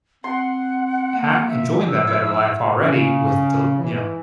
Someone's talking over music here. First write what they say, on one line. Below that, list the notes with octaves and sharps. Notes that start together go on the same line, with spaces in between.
ha enjoying that better life already with the you know,
C4 F#5 C6
A#3
E5
F3 E6
E4
C#3
E3